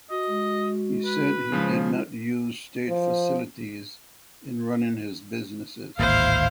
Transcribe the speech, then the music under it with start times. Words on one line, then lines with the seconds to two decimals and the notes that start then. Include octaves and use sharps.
He said he did not use state facilities in running his businesses.
0.10 F#4 D#5
0.27 G#3
1.05 B4
1.52 C#3 F3 G#3 C5
1.83 F4
2.89 F3
5.99 D1 G#1 A#3 E4 C5 F5